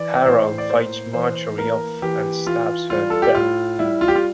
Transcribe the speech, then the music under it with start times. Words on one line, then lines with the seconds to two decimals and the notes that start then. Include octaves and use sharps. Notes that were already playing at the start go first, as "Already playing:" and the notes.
Harold fights Marjorie off and stabs her to death.
Already playing: E3 D5
0.25 A2 C5
0.58 D5
0.70 A#3 C5
1.13 E3 C5
1.58 A#3 A#4
2.02 E3 G4
2.46 E3 F4
2.90 G3 F4
3.10 A4
3.22 G4
3.35 A2 F4
3.79 G3 E4
4.01 F4
4.08 G4
4.15 F4